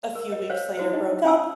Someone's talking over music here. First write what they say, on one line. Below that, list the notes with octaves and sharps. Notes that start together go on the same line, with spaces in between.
a few weeks later broke up.
A#4
D#5
C5 C#5 F5
E4 F#4 C5
D#4 E4 D#5
C#4 F4 G#5 A5 D#6 E6